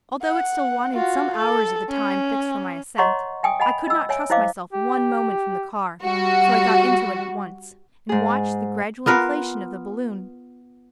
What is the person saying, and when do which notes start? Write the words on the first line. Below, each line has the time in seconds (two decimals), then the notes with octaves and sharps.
Although it still wanted some hours of the time fixed for my ascent, I could not trust myself one moment from the car, so I got into it at once, and watched the gradual inflation of the balloon.
0.22 F#5
0.94 F4 F#4
1.37 A4
1.89 C#4
2.98 C#5 D#5 F#5 A#5 C6 C#6
3.43 E5 G5 G#5 D#6
3.60 D#5 F#5 G#5 B5
3.88 D#5 E6
4.09 C#5 E5 G#5
4.30 E4 C5 D#5 F5 D6
4.73 G4
6.04 G3 F#4
8.09 G#2 G#4
9.06 B3 F4 A#4 B4